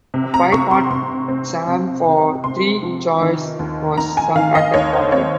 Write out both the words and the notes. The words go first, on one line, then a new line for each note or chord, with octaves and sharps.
A five-part psalm for three choirs was sung at the funeral.
C3
A#5
C3 C#6
C6
C3 C6
C4
C3
C3
C3 C6
F3
D#3
D#2
D#3 A#5
G#5
D#3 F5
D#5
D#2 C#5
C5
C4 C#5